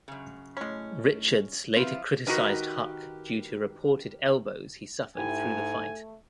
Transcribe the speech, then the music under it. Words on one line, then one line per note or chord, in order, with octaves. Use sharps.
Richards later criticized Huck due to reported elbows he suffered through the fight.
F#2 C#3
A2 G#3 C#4 B5
F3 C4 E4 F4 G4 B4
D#3 D#4 F#4 G4 A#4 B4
G#2 A3 E4 G4 G#5